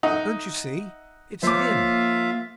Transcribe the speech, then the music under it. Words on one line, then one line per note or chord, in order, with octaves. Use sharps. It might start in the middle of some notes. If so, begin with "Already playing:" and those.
"Don't you see? It's him!"
D#4 E5 F#5
F3 A#3 F4 C5 C#5 E5 F5 D6